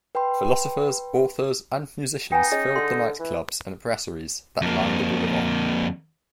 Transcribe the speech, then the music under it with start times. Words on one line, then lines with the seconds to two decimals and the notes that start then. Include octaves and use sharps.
Philosophers, authors and musicians filled the night clubs and brasseries that line the boulevard.
0.15 B4 G5 B5 C6
2.32 B3 D#4 G5 G#5 A#5
2.52 C#4 G#4 D#5
2.76 D3 C6
3.19 E3
4.62 F2 A#3